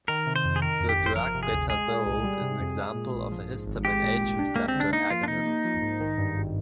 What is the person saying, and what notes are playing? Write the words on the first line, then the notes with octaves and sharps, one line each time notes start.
The drug betazole is an example of a histamine H receptor agonist.
D#3 A#4
C3
C5
F2
G#4
D#3 A#4
F2
G4
G1
C5
F3 A#4
C3
G#4
D2
G#3 G#4
A#2
C2
G3
C3
F2
G#3
A#2
A#1
F3
G#2
G#1
G#3 G4
A#2
C2
D4
G#3 A#3
C4
D3
D4
A#3 D#4
F3 F4
D4
C3 D#4
A#3
F3
G#2
D#3
G2
G#1